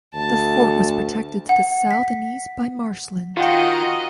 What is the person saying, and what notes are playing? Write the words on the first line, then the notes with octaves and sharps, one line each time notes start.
The fort was protected to the south and east by marshland.
D2 A5
F#5
B6
D#3 F4 F#4 D#5 F#5 G5